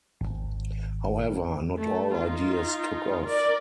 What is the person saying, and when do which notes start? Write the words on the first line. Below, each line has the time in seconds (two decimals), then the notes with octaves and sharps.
However, not all ideas took off.
0.21 G#1
1.78 A3
2.15 D#4 F4
3.25 A#4 D5